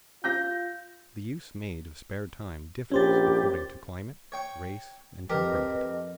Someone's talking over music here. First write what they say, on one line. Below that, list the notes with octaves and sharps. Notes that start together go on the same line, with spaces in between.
The use made of spare time differs according to climate, race, and temperament.
F4 G6 A#6
A#1 C#4 G4 C5 A6
C#5 G5 C#6
F2 G4 A#4 B4 D#5